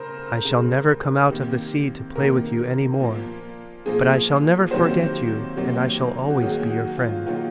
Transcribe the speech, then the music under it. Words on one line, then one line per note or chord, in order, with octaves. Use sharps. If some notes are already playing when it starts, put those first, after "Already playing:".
I shall never come out of the sea to play with you any more, but I shall never forget you and I shall always be your friend.
Already playing: C#3 A#4 C5
C#3 G#3
C3 D#3 A#3
C3 D#3 A#3 A#4
A#2 F3 A#3
A#2 F3 A#3 G#4
C3 D#3 F#3 A#3 C5
C3 D#3 F#3 A#3
F#4
D#3 F#3 A#3 G#4
F#4
F4
D#3 F#3 A#3 F4